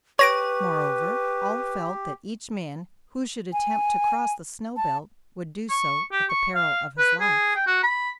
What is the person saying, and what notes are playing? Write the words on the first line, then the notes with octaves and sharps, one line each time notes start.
Moreover, all felt that each man who should attempt to cross the snow belt would do so at the peril of his life.
G4 B4 C#5 C#6 A#6 D7
G#5
A5
C#6
G4
C#6
F5
B4
G#4
G5
F#4
B5